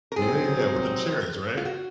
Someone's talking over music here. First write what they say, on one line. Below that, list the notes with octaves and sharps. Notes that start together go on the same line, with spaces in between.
Yeah, yeah, with them chairs, right?
A#4
C3 F#3 C4 D#4 G#4
F4
F#4